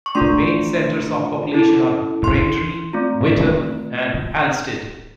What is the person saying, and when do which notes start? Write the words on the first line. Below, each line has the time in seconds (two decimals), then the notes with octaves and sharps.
The main centres of population are Braintree, Witham and Halstead.
0.06 C#6
0.15 A3 D4 F4 C6
1.54 C#4 E4 A4
2.24 C6
2.93 A3 C4 F4